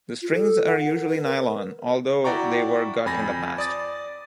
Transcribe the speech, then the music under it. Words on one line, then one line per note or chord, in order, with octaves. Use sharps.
The strings are usually nylon, although they were gut in the past.
F4
A4
F#5
A#4
B4
A#4
E4 F#4 D5 G5 A#5 C#6
F2 G#5 B5 A6 A#6
D5 D#6 A6